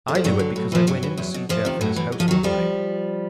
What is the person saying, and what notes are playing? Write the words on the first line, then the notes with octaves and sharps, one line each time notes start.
I knew it because I went in to see Jeff in his house one night.
D3
F3
G2 F#3
D3
A2
E3 F3
G2 F#3
E3
E2
B2
E2 F3
C3 D#3
A2 F#3
E3
G#2
F3
D#3 F#3
F2 F3 G3